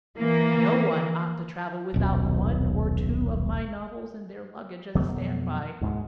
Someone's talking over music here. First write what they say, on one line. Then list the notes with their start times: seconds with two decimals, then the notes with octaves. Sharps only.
No one ought to travel without one or two of my novels in their luggage as a stand-by.
0.17 E3 A#3
1.94 D#1 B1
4.95 F2 B2 F#3 A3
5.81 D2 G#2 G#3